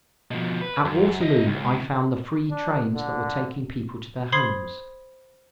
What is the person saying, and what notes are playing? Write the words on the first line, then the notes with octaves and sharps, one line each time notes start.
At Waterloo I found the free trains that were taking people to their homes.
B2 F3
B4
F#2
E4 D#5
C#2
D4
D3
C5 B5 C6 D#6 G#6 C7